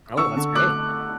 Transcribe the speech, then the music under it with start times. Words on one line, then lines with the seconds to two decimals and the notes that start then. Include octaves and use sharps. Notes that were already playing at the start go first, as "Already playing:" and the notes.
Oh, that's great.
0.17 D3 C#6 E6
0.37 D3
0.55 A3 D6 F#6